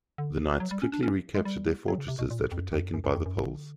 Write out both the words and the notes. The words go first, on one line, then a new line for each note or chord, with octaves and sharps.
The Knights quickly recaptured their fortresses that were taken by the Poles.
D3
F#3
G3
C#4
D4
C#4
G#3
G3
F#3
C#3
C3
B2
A#2
A2
F2
F#2
F2
F#2
F#2
F#2
F2
F#2
G#2
D3